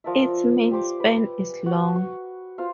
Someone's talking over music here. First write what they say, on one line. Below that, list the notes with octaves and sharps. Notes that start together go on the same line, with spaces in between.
Its main span is long.
F3 A#4 D5 E5
G4 C5 D6
B4
F#4
C#6
F4 C5 F5